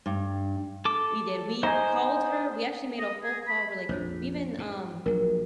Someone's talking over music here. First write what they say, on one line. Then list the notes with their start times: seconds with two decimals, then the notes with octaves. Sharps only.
We did, we called her, we actually made a whole call where, like we even, um
0.06 G2
0.85 A4 D6
1.63 D#4 G#4 C5
2.99 D#5
3.23 G#4
3.48 B5
3.89 A#1 F2 C5 C#5
4.58 G#2
5.06 A#1 F#3 A#4 F#5